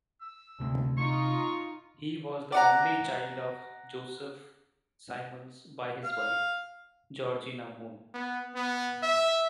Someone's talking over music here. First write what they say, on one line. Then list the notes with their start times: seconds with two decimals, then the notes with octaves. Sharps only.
He was the only child of Joseph Symons by his wife, Georgina Moon.
0.21 E6
0.60 D2 C3 A#3
0.97 D#4 F4 C#6
2.52 D5 F#5 A#5
6.04 F5
8.14 B3
8.55 B3
9.03 E5